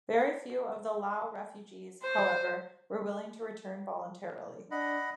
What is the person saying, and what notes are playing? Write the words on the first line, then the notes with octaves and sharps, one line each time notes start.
Very few of the Lao refugees, however, were willing to return voluntarily.
C5
D4 D#5 F#5 B5